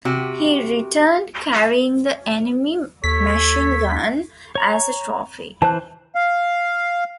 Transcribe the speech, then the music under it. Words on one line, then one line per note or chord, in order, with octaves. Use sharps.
He returned carrying the enemy machinegun as a trophy.
C3 F#4 G4
D#2 A4 C#5 B6
C#5 A#5
E3 C5 A5 F#6
F5